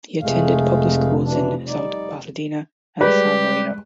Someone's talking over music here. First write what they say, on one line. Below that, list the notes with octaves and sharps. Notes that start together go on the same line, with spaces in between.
He attended public schools in South Pasadena and San Marino.
F1 G#3 A3 F5
B2 E3 D4
G3 D#4 D5
G3 G#3 G4 B4 D5